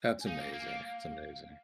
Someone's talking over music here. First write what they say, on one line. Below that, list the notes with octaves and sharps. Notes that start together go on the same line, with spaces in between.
That's amazing, that's amazing.
G#5
D#4 F5
A#3
A#3
A#3